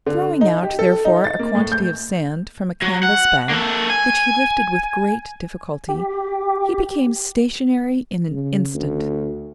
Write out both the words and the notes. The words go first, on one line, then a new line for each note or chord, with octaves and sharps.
Throwing out, therefore, a quantity of sand from a canvas bag, which, he lifted with great difficulty, he became stationary in an instant.
D3
D#4
G4
A4
D#4
A6
A#3
A2
G6
F#3
F#5
A#3 A4
G#5
G4
C#3
D2